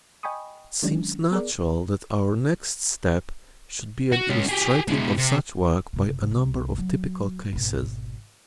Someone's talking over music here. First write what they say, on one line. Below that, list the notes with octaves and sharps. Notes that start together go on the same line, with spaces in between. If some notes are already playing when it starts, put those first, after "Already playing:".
It seems natural that our next step should be an illustrating of such work by a number of typical cases.
D#5 G5 G#5 B5 C#6 D#6
D#3 F#3 G#3 C#4 D4
B3 G#4 A#4 D5
F#4
G#3 C#4
G4 G#4
B2 G#3
C3
F#1 C3
C2
F#3
G#1 B2